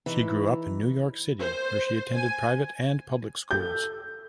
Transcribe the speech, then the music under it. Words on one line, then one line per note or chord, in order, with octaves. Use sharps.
She grew up in New York City where she attended private and public schools.
E3 D#4
C5
G#5
A4 G6